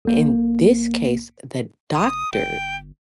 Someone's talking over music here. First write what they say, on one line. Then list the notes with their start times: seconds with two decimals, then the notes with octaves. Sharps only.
In this case, the doctor
0.05 B1 A#3
1.95 F1 D#6
2.32 G1 G5